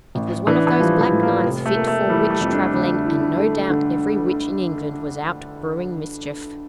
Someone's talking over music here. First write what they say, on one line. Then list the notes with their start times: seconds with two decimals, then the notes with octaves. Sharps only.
It was one of those black nights fit for witch traveling; and, no doubt, every witch in England was out brewing mischief.
0.15 A1
0.47 E3 D4
0.67 E3
0.79 F3 G3
1.01 E3
1.11 A2
1.23 A#3
1.44 F1
1.66 A3
1.76 A#3
1.88 A3
2.09 E3 G3
2.31 A3
2.41 F2
2.52 D4
2.74 D2
3.06 E4
3.39 A3
3.70 D3